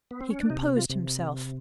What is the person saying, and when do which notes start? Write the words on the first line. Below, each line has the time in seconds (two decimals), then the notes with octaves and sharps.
He composed himself.
0.11 B3
0.21 C4
0.30 C#4
0.40 D4
0.50 C3 D#4
0.76 F4
0.89 C3